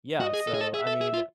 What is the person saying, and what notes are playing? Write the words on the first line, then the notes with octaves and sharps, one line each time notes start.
Yeah, so, I mean,
F#4 D#5
G#4
A4
G#4
A4
G#4 E5
A4
G#4
F4